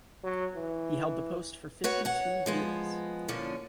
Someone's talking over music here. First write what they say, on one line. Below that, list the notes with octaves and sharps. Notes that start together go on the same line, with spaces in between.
He held the post for fifty-two years.
F#3
E3
F#4 B4 C#5 F#5
C#5 F#5
F3 G#3 B3
A#2 D3 F3 C#4